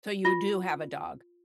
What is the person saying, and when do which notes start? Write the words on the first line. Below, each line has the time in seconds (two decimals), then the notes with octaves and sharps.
So you do have a dog?
0.25 F4